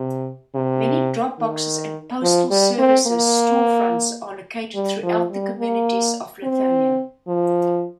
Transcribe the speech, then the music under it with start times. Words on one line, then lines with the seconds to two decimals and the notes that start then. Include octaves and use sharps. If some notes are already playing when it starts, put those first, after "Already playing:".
Many drop boxes and postal services storefronts are located throughout the communities of Lithonia.
Already playing: C3
0.55 C3
1.39 D#3
2.22 F3
2.51 G3
2.79 C4
3.07 A#3
4.75 G3
5.03 F3
5.31 G3
5.59 A#3
6.43 C4
7.27 F3